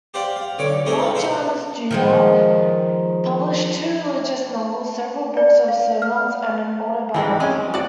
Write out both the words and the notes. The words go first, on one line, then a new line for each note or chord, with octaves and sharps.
Bob Jones Junior published two religious novels, several books of sermons, and an autobiography.
G4 C5 D5 F5 F#5
F5
B1 D3 C#5 D6
C2 D#3 A3 G#4 A#4 C5
G3 B3
B2 C5 E5 F5 C6
D#3 F3 G#3
D5
F5
F6
G#2 E3 G3 C4
G#3 C4 C#4 G#5
C4 F#4 D5 A5